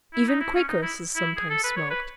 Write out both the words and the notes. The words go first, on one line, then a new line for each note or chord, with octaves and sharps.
Even Quakeresses sometimes smoked.
E4
D#4
E4
C#4
D#4
E4
E4
G#4
A4
B4
C#5
B4